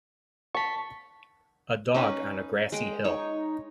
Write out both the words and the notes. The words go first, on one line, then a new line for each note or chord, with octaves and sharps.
A dog on a grassy hill.
A5 C#6 B6
C#4 D#4 B4
G#3 G5
D#4 C#5